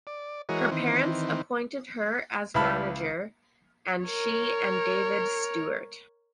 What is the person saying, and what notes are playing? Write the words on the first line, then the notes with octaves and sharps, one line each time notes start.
Her parents appointed her as manager and she and David Steuart.
D5
E3 G#3 F#4 A#4 C#5 D#5
D#3 E3 C4
C#2 E4 B4 A5 B5 F6
A#4 C#5